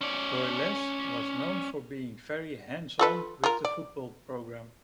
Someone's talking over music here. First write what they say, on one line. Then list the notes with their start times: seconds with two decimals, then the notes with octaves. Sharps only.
Broyles was known for being very hands-on with the football program.
0.01 C#4 D5
2.99 F4 A4 B4
3.44 F4 A#4
3.65 D5